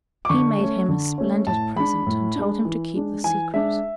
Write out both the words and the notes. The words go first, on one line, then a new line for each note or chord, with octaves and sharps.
He made him a splendid present, and told him to keep the secret.
D6
D3 C#6
A3 C#4
D3
A3 C#4
A2 A5
G#3 D4 B5
A2
G#3 D4
E3
G#3 D4
E3 G#5
G#3 D4 E5